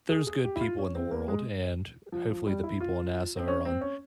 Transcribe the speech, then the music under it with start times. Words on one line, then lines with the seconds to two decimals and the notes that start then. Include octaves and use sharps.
There's good people in the world, and, hopefully the people on NASA are on
0.10 G#4
0.27 G#4
0.44 G4
0.56 E4
0.61 F4
0.78 C#4
0.95 C4
1.11 A#3
1.28 G#3
2.12 F3
2.30 F3
2.47 G3
2.64 E4
2.80 F4
3.37 C4
3.48 C#4
3.65 C4
3.81 C#4